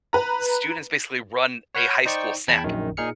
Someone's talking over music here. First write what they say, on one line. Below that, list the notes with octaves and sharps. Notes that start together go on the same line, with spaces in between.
Students basically run a high school Snap,
B4 A#5
C#5 F#5 B5 F6 G6 G#6
D#4 C5 D5 G5 C#6
E2 G5 A5 B5 G#6
A#1 F#2 D#3
A#2 D#4 G#4 F6 C#7